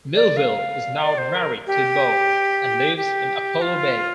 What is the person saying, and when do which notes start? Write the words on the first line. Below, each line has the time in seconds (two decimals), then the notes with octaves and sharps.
Melville is now married to Bo, and lives in Apollo Bay.
0.15 D5
0.37 F5
1.02 D5
1.18 C5
1.35 A#4
1.67 G4
2.97 G4
3.62 F4